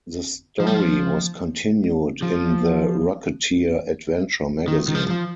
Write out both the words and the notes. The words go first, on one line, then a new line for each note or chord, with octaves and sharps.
The story was continued in the "Rocketeer Adventure Magazine".
F3
G3
F3
F3
D#3
D#3
F3
F3